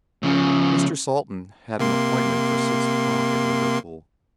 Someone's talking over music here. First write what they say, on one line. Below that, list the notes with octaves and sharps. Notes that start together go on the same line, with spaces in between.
Mr. Salton had an appointment for six o'clock at Liverpool.
C#3 F3
C3 A#3 C6